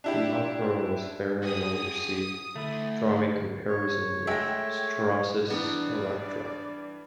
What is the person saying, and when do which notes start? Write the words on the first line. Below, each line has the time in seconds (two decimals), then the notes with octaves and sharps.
The opera was very well received, drawing comparisons with Strauss's Elektra.
0.04 D4 E4 G4
1.43 F#4 G#4 D#6
2.56 D2 A3 E4
3.69 C#5
4.27 G#3 A3 E5 F#5 G5
5.50 G2 E3 B3 D4 D#4 D5